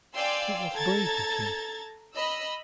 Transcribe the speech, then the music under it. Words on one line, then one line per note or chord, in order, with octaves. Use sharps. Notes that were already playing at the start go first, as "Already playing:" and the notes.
"That was brave of you."
D5 F5 G5 G#5 C6 E6
A4 A#5 G#6 A6
D#5 B5 E6